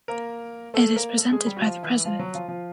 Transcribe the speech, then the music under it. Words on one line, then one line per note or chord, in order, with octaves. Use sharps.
It is presented by the president.
A#3 A#4
A3 A4
A#3 A#4
A3 A4
G#3 G#4
G3 G4
F#4
F3 F4
E3 E4
F3 F4
F#3 F#4
F3 F4
F3 F4